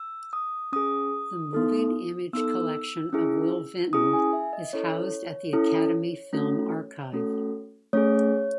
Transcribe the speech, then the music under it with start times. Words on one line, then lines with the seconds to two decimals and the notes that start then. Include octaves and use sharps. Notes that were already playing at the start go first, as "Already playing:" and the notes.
The moving image collection of Will Vinton is housed at the Academy Film Archive.
Already playing: E6
0.33 D#6
0.72 C#4 G#4 D#6
1.53 B3 D#4 A4
2.33 B3 D#4 A4 E6
3.13 C#4 E4 G#4
3.93 C#4 E4 G#4 D#6
4.13 G#5
4.33 E5
4.53 D#5
4.73 C#4 E4 A4 C#5
5.53 C#4 E4 A4
6.33 A3 C#4 F#4 A4
7.13 A3 C#4 F#4 A4
7.93 A3 C#4 G#4 C#5